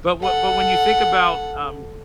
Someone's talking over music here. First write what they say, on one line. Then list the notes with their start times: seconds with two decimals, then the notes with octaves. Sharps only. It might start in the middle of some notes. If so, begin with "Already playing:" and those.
But wh but when you think about, um,
0.23 A4 F#5